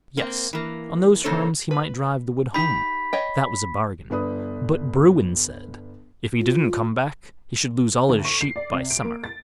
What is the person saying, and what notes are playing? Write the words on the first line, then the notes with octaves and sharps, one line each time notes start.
Yes! on those terms he might drive the wood home, that was a bargain; but Bruin said, 'if he didn't come back, he should lose all his sheep by summer'.
A#3 C4
E3 A#3
C#3 A#3 D#4 A4 C5 C#5
B4
D#4 G4 B5 B6
C#5 D#5 G5
G1 D4 B4 D#6
F4
D2
C#6
C7
D5
C3
D7
A#3
A6